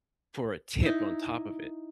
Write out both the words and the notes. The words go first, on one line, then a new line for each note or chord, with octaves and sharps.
for a tip on top of it?
D#4 E4